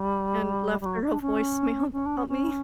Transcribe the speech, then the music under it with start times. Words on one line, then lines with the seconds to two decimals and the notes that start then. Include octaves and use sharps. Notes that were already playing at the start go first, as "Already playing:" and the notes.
and left her a voicemail about me.
Already playing: G3
0.81 G3
0.86 F#3
1.10 D4
1.21 C#4
1.93 C#4
2.06 D4
2.17 C#4
2.29 C#4